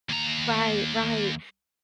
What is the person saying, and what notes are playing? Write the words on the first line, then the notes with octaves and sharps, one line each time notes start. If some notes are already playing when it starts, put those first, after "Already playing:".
Right, right,
D#2 A#5